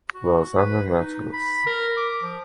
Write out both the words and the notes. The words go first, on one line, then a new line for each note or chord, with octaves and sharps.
Lausanne naturals.
F#4
B4
D#4
B5
A#4
D6
F3